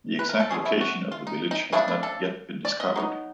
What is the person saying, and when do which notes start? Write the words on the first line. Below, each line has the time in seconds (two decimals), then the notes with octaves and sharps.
The exact location of the village has not yet been discovered.
0.19 B4
0.29 A#4
0.40 A4
0.50 B2 G#3 C#4 G#4
0.65 E4
0.81 F#4
1.12 F4
1.27 D#4
1.51 D#4
1.72 C#3 F3 A3 D4 E4
1.88 E4
2.03 A4
2.65 D5
2.80 D#5
2.96 F#3 B3 D#4